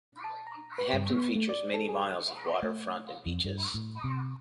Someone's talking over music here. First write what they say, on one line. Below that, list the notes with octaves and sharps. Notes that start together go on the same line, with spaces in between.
Hampton features many miles of waterfront and beaches.
A5
A#5
B4
G2
B3
A3
D5
A4
G#4
A3
F2
G2
A2
C3